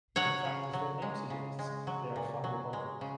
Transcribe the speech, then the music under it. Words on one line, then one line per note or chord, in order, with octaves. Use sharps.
In fact, as their name suggests, they are fiber bundles.
F#3 C#5 F#5
C#3
F#3
G#3
C#3
G#3
F#3
A#2
F#3
G#3
C#3